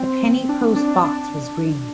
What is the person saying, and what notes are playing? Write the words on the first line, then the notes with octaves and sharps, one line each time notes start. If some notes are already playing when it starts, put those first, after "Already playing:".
The penny post box was green.
Already playing: C4
D4
D4
D4